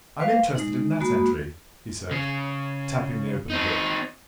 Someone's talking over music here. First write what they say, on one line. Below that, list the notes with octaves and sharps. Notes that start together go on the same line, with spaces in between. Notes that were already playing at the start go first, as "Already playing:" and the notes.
"I'm interested in that entry," he said, tapping the open book.
B4 C5 F5
A#4
G#3 D#4
G#3 A#3 F#4 B5 D#6
C#3
C4 D#4